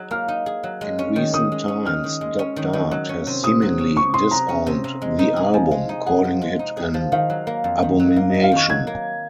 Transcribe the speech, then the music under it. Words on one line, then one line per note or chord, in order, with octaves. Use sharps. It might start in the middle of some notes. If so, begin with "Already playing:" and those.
In recent times, Doc Dart has seemingly disowned the album, calling it "an abomination".
Already playing: F#3 D#4 G#4
A#3 F6
D#4
G#4
F#3
G#3
C#4
D#3
D#3 D#6
G#3
C#4
D#3 F6
D#3
G#3
C#4
D#3
D#3
F#3
C#4
C3
C3 D#6
F#3
C#4
C3 C#6
C3 C6
F#3 A#5
C#4
C3
C3
G#3
D#4
G#4
F3 G#5
G#3
D#4
G#4 F#5
F3
G#3
D#4
G#4
F3
D#3 F5
F#3
A#3
F2
D#3
F#3
D#5
A#3 F5
F2 D#5
F5
D#3 C#6
F#3 G#6
A#3